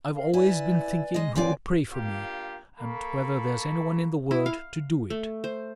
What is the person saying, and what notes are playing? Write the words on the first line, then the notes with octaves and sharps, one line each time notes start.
I've always been thinking who would pray for me, and whether there's any one in the world to do it.
A#4 F5
E4 B4 D5 G#5
G#3 D#5
D#2 C4 B4 C#5 D5 G#5
A#3 D4 F4 G4
A#3 A4 B5 C#6
E4
F5
A3
C5